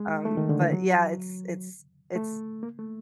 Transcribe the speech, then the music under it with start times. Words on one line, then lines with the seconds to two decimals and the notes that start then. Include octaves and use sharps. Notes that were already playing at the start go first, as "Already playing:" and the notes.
um, but yeah, it's it's it's
Already playing: G#3
0.25 A3
0.37 D#3
0.49 D3
0.61 E3
0.73 F#3
2.15 A3
2.63 A#3
2.79 A3